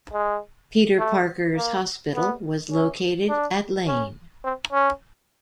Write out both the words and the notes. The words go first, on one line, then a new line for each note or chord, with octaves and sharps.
Peter Parker's hospital was located at Lane.
G#3
A3
A#3
B3
C#4
D4
C#4
C4
C#4